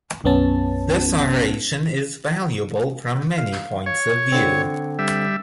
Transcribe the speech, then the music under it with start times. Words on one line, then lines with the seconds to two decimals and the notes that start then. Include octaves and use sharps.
This oration is valuable from many points of view.
0.24 B1 F#2 B3 C#4 A5
3.38 F5
3.86 C#5
4.32 D3 C4
4.99 G3 E5